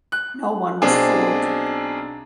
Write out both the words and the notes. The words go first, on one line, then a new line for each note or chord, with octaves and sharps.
No one was fooled.
F#6
B1 C4 D4 G#4